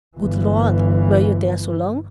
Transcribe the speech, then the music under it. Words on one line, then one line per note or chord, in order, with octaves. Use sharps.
"Good Lord--were you there so long?"
G1 E3